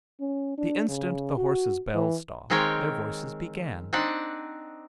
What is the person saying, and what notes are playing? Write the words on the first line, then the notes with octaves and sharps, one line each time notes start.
The instant the horses' bells stopped, their voices began.
C#4
D4
C#3
F#4
E3
D#3 G#3 C4 A#4 C#5 G5
C4 D4 D#4 D5 F#5